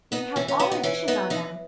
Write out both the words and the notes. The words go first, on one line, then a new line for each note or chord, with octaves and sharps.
And we have all our dishes on them.
B3 D#4
E3 C#4
C#4
B3 C#4
D#4
E3 C#4
B3 D#4
E3 D#4